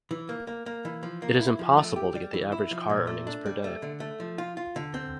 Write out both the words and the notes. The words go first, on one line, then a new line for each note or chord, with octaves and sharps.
It is impossible to get the average car earnings per day.
E3
A#3
A#3
A#3
E3
F3
A#3
E4
F3
A3
G4
G3
E3
E4
F3
A#2
A3
D4
G3
A3
D3
A3
F3
F4
F4
D3
C4